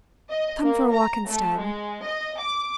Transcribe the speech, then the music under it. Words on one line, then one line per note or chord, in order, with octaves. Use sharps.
'Come for a walk instead.
D#5
A#3
A#5
A3
G#3
D#5
D6